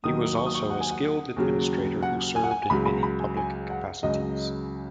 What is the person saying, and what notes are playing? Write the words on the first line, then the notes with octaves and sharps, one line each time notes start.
He was also a skilled administrator who served in many public capacities.
D#2 D#3 F#3 D#6
C#6
D#6
C#6
F#5
G#5
F#5
D#2 C#3 F#3
F#5
G#5
F#5
G#5
G#5
C#2 C#3 F#3 B5
B5
B5
G#5
G#5
F#5
C#2 C#3 F#3 D#5